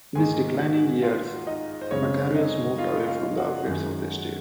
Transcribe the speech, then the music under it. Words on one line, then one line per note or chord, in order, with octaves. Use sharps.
In his declining years, Macarius moved away from the affairs of the state.
G#2 D#3 A#3 D#4 G#4 G#5
F#4 F#5
F4 F5
D#4 D#5
C5
F#2 C#3 G#3 C4 C#4 C#5
D#4 D#5
F4 F5
F4 F5
F#4 F#5
F#2 D#3 G#3